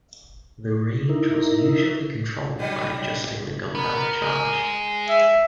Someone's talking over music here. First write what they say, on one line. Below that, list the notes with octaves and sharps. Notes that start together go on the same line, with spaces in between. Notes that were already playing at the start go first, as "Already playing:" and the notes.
The range was usually controlled by adjusting the gunpowder charge.
D#4 E4 A#4
D#3 F#3 G3
B3 A#4
G#3 G#4
E5